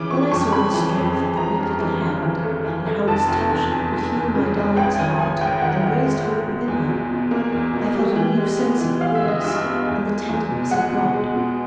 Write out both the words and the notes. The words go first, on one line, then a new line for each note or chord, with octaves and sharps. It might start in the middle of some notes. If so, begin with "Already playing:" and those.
When I saw the strength of the weak little hand and how its touch could heal my darling's heart and raised hope within her, I felt a new sense of the goodness and the tenderness of God.
Already playing: C#3 E3 D6
E3 C#6
F2 C#6
C#3 B5
E3
F2
C#3
E3 A#5
G2
E3
G#1
E3
A3
E3
A3
F1 A5
F1
E2
E2
F1
E2
C#3
F1
A1 G5
D#3 G#5
A1 G#5
G#2 G5
D#3 F#5
D#3
G#3
G#2
B2
E2
B2
B2
A#3
E2
B2
G3
E3
G#3
B3
E3
E3 F5
E5
G#3
D#5
G2 E5
B3
E2
G#3
E2
B2
G#3 F#5
B2
G#3
B2